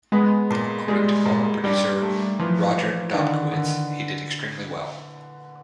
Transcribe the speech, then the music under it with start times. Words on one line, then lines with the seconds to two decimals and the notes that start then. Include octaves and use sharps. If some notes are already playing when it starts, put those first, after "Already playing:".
According to former producer Roger Dobkowitz, he did extremely well.
0.12 G#3 B3
0.50 A#2
0.88 G3 G#3
1.26 A#2
1.64 G3 D4
2.02 A3
2.40 E3 F3
2.77 E3
3.14 D3 D#3
3.52 D3